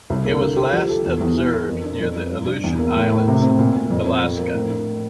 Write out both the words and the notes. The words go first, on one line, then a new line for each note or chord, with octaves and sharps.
It was last observed near the Aleutian Islands of Alaska.
C2
A#3
D3
G4
F3
A4
E2
E2
E3
A#4
F2
D4
F2
F2
G2
D4
E2
A#3
A2
A2
C3
C4
A#2
A#2
F2
C4
F2
A#3
A2
D4